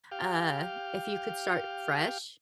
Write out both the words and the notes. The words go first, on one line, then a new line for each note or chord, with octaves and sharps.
uh, if you could start fresh?
G4 F5